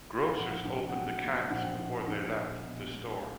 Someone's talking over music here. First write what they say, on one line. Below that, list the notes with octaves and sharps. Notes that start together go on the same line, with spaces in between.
Grocers opened the cans before they left the store.
F5
A#1 F#5
A#1
F#5
F#3 G5
A#2
A#1 F#5
G5
A#1 F#5
A#1
A#1
B2
G#3
F5